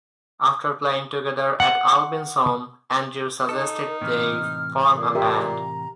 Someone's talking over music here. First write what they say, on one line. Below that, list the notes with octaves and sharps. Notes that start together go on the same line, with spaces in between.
After playing together at Albin's home, Andrew suggested they form a band.
F#5
D#4 A4
A#4
A2 C3 E3 F6
A#2 A4
G4 A#4 E5 C6
A#5